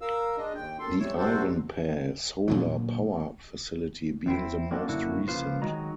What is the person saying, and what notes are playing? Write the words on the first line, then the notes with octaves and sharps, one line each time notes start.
The Ivanpah Solar Power Facility being the most recent.
A#4 F5 E6
G#3 D4 D#5
D#2 G5
F#2 A4 C6
F2 G3 A3 C#5 E6
C3 G3 C4 F#4 A4 C5
A#2 D3 F#3
E2 C4 E4
A#3 C4 D4 F#4 A4
F#2 A2 D3 A#3 E4 F#4
C#3 F3 A#3 F4 B4 C5
D#3 F#3 G#3 F#4 D#5 A#5